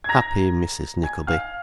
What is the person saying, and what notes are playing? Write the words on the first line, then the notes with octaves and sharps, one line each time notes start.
Happy Mrs Nickleby!
G#6
A#5 A#6
G#5 G#6
F5 F6